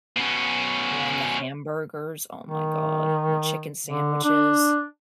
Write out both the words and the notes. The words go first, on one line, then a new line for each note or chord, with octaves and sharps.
And the hamburgers, oh my god, and the chicken sandwiches,
B2 C#4
D#3
D3
D4